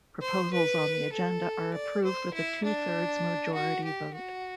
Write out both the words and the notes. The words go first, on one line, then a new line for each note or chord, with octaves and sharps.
Proposals on the agenda are approved with a two-thirds majority vote.
C5
B4
A4
D5
C5
E4
D4
F#4
G4
F#4